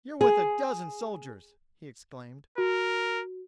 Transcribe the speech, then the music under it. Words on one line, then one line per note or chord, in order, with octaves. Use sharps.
"You're worth a dozen soldiers!" he exclaimed.
G#4
F#4 A#4